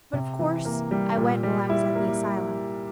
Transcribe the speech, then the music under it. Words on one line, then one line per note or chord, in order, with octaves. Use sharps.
But of course I went while I was at the asylum.
C3
E3
A#3
G3
A#2
G3
E4
A#3